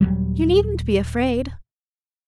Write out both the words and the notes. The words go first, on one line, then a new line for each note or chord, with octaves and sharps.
You needn't be afraid.
D#1 F2 F#3 G3